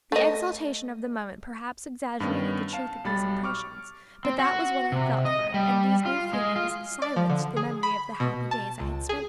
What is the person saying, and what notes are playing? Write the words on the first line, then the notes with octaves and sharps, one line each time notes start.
The exaltation of the moment perhaps exaggerated the truth of these impressions, but that was what I felt, friend, and these new feelings silenced the memory of the happy days I had spent with you.
A3 D#5
G2 D#3 B3 C#4
F5 A5
B1 G3 B5 A6
C#6 D6 F6
C4
F#4
C3
D#5
G3
F4
G#3
F4
D5
F3
D3
G#4
B5
B2
A5
C#2
G#4